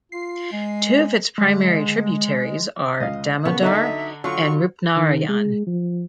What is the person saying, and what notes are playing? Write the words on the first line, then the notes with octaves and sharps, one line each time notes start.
Two of its primary tributaries are Damodar and Rupnarayan.
F4 C7
G#3
D3 G#3
C#2 D#5 F5
C#3 B3 A#4 C#6
D3 F#3 D#4 D#5 E5 A5 A#5
D3 F#3 F4 F#4 C#6
D#3
G#3
F3